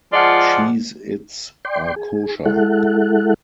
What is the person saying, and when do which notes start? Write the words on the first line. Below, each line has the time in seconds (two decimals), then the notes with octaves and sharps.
Cheez-Its are kosher.
0.12 F3 G#3 F4 D5 F#5
1.65 D5 G5 C6
1.96 G#4
2.46 G#3 E4 A4 F#5